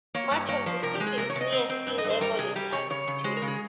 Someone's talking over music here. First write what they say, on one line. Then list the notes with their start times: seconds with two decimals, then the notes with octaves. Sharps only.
Much of the city is near sea level in altitude.
0.15 A#3 C#5
0.31 G2
0.49 A#3 C#5
0.66 F3 C5
0.83 C3 A#4
0.95 G#3 G4
1.06 G#4
1.17 C3 A#4
1.30 C#5
1.36 C3
1.41 D#5
1.52 C4
1.69 C4
1.87 G2
1.98 D#5
2.04 G2
2.10 C5
2.21 G3 A#4
2.38 C3 G#4
2.55 G3 G4
2.73 C3 C#5
2.90 C#3 C#5
3.08 C#3
3.24 G#3 C5
3.36 A#4
3.42 C#3
3.47 G#4